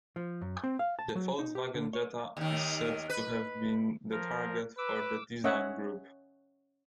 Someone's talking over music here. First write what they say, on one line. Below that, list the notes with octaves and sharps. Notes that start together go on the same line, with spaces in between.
The Volkswagen Jetta is said to have been the target for the design group.
F3
F#2
C4
F5
A5
F#3
D#4
G4
D3
C#5
D#2 D#3
B4
F3 A#4
B4 D6 E6
C#4 C#5 D#5 E5 F#5